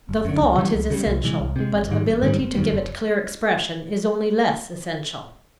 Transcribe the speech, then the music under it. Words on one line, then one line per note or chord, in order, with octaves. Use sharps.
The thought is essential, but ability to give it clear expression is only less essential.
F#1
F#2 D3
C#2
C#3 E3 G3
C#2
C#3 E3 G3
C2
C3 E3 G#3
C2
C3 E3 G#3
A1
G#2 D#3 G3
A1
G#2 D#3 G3
F#1
F#2 D#3 G3
F#1